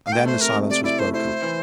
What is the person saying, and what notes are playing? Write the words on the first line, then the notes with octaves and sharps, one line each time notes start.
And then the silence was broken.
F5
A3 G5
A3 C5
C3 A#4
C3
C3 D5
E4 D5
A3 C5
E4 C5
E4
E3